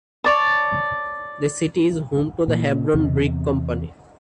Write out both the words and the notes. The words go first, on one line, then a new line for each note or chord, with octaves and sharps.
The city is home to the Hebron Brick Company.
C#5 D5 A5
A#2
E2 C3